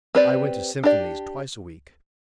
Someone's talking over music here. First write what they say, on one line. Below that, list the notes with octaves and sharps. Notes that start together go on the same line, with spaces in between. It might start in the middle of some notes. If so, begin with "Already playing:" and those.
I went to symphonies twice a week.
C4 G4 B4 D5
D4 G4 D5